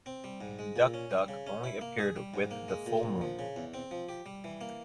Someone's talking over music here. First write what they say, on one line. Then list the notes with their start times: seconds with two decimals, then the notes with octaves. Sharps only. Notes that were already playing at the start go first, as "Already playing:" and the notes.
Duk-Duk only appeared with the full moon.
0.06 C4
0.24 G3
0.41 G#2
0.59 G#3
0.76 A#2
0.94 C#4
1.11 G3
1.28 C#3
1.47 C#4
1.64 E4
1.81 A#3
1.99 G#4
2.16 G3
2.34 G#2
2.51 A#3
2.68 G#3
2.86 A#2
3.03 A#1
3.21 F3
3.39 C#3
3.56 E2
3.74 C4
3.91 F3
4.09 G4
4.26 G3
4.44 E3
4.61 A#3